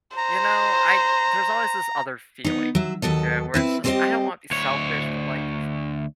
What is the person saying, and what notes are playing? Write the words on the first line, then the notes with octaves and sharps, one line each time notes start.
you know, I there's always this other feeling to it where it's just I don't want to be selfish, but, like
C5 A#5
B3 D#4
F#3 E5
D#2 F#3 A4 D#5
C4 E4 B4
G3 C4 G4 G#4 C5 D#5
D2 C#5